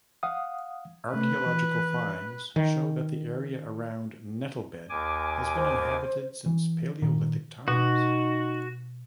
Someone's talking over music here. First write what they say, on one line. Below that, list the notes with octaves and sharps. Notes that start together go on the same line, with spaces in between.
Archaeological finds show that the area around Nettlebed has been inhabited since Palaeolithic times.
F5 F#5 D#6
C3 A3 C#4 B4
E3
D#3
D#2 G#5 D6
C5
E3
A#2 D#3
B2 D#4 F#4